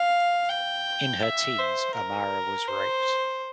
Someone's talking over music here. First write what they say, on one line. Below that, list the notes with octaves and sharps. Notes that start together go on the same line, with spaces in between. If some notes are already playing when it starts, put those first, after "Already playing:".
In her teens Amara was raped.
Already playing: F5
G5
E5
C5
A#4
C5